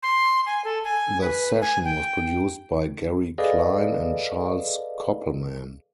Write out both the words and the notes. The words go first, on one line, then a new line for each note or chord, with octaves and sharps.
The session was produced by Gary Klein and Charles Koppelman.
C6
G#5
A4
G#5
B4
G#5
G5
G#4 A4 B4 D5 D#5 F5